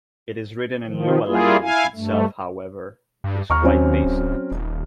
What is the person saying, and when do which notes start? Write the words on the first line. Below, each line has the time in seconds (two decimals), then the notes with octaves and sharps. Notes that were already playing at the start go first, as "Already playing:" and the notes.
It is written in Lua Language itself however is quite basic.
0.86 D#3 F3
1.27 G3 A#3 E4 F4 G#4
1.61 E4 F5 G#5
1.95 G2 A3
3.24 G2
3.50 D#2 A#5 C#6 F6
3.63 F#3 C4 C#4
4.04 D1
4.51 D#1